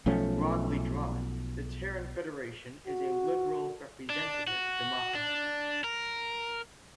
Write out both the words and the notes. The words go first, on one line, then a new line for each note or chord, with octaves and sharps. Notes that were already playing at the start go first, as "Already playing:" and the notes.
Broadly drawn, the Terran Federation is a liberal, representative democracy.
B1 F3 A3 C#4
F#4
D4
F#4
D4
A#4